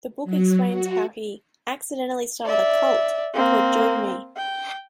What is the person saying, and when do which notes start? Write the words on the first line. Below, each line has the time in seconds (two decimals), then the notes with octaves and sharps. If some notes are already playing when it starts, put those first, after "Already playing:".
The book explains how he "accidentally started a 'cult'" called Join Me.
0.24 F#3
0.68 F#4
2.45 D5 E5
3.34 A#3 C4
4.37 G5